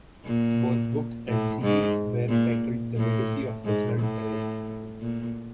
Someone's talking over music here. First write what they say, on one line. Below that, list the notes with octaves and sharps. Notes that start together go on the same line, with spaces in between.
Both book and series were titled "The Legacy of Reginald Perrin".
A#2
A2
G#2
A#2
A2
G#2
A2
A#2